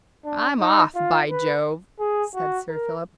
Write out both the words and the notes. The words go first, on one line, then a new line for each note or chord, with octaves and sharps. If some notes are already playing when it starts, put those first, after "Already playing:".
"I'm off, by Jove!" said Sir Philip.
D4
D#4
F4
B4
G#4
F#4
A#4